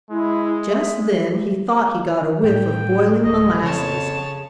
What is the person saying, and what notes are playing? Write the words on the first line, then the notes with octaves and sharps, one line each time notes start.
Just then he thought he got a whiff of boiling molasses.
G#3 E4
E5
A2 G3 G5
D1 E2 G#3 D#5
F2 C#3 C#5 A5